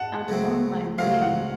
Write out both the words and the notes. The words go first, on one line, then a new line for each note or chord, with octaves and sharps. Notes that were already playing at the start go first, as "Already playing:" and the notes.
I'm on my way.
Already playing: F#5 A5
C#2 C#3 F#3 A3 C4
C#2 C#3 F#3 A3 C4 F5
F#5